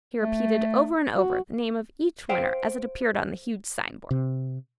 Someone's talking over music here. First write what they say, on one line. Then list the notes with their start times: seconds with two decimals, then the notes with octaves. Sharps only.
He repeated over and over, the name of each winner as it appeared on the huge signboard.
0.22 A3
1.17 F#4
2.29 C5 F5 G5
4.11 C3